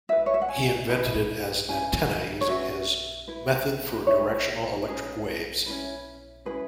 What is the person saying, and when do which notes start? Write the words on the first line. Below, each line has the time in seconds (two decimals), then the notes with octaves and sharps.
He invented it as an antenna using his "method for directional electric waves".
0.09 E4 B4 E5
0.26 C#5
0.34 E5
0.42 F#5
0.49 G#5
0.89 E4 G#4 B4 B5
1.68 C#4 E4 B4 G#5
2.41 C#5
2.48 C#4 F#4 B4 E5
3.28 E4 B4
4.07 E4 B4 C#5
4.86 C#4 G#4 B4
5.66 C#4 E4 B4
6.45 C#4 E4 G#4 B4